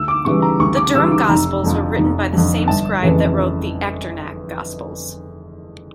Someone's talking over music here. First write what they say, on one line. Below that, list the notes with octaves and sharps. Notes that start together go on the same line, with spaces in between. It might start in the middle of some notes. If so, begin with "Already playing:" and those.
The Durham Gospels were written by the same scribe that wrote the Echternach Gospels.
Already playing: D2 E6
D6
C#3 E3 G3 C#6
A#5
D2 C#6
D6
C#3 E3 G3 E6
D6
F1 A#5
F2 D3 F3
F1
F2 D3 F3
G1 A5
F2 C#3 E3 A3